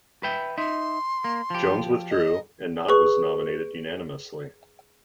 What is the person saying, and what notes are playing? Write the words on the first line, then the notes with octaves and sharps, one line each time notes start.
Jones withdrew, and Knott was nominated unanimously.
B4 E5 G5
D#4 E5 C6
A#3
F3 G4
D#5
G#4 B4 C#6